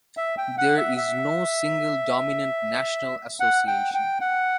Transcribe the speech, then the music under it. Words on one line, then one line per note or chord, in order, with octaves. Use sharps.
There is no single dominant national association.
E5
G5
F#5
E5
E5
F#5
G5
G5
F#5